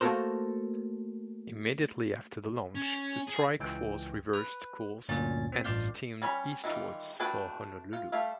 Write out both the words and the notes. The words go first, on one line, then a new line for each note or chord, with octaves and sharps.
Immediately after the launch, the strike force reversed course and steamed eastwards for Honolulu.
A3 A#3 F#4 A4 A#4 C5
C#4
G#4
C#2 E3 G5
B4
D2 G2 A#2 C#4 A6
C4
A1 G2 F4 D5 F5 G6
G3 C#4 B5
D#3 E3 G3 F4
A3 D4 F#4 B4 G5
F4
G3 A3 F5